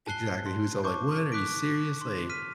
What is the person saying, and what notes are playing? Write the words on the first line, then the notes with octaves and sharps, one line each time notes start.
Exactly he was all, like, "What? Are you serious"? Like,
G#5 A5 F#6 C7 G7
C6
A5 C#6 D6 G6
D6 F#6 B6 D7
C6
F6 B6 D#7